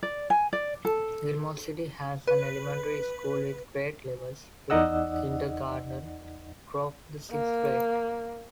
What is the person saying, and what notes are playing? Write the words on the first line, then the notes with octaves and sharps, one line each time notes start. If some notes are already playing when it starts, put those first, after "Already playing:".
Gilmore City has an elementary school with grade levels prep-kindergarten through the sixth grade.
D5
G#5
D5
A4
B4
E2 D#4 D5 D#5 F#5 E6
A#3